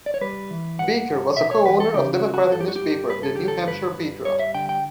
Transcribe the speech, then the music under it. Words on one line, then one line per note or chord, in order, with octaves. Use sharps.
Baker was a co-owner of a Democratic newspaper, the "New Hampshire Patriot".
D5
C#5
G3 B4
E3
G2 F#5
G2
B2 E5
C#5
E2 B4
A4
C#3 G4
F#4
C#2
F#4
G2 A4
G4
F#4
G4
G2
G2 B4
A4
D3 G4
A4
G2 B4
G2
G3 C#5
E5
D3 G5
G5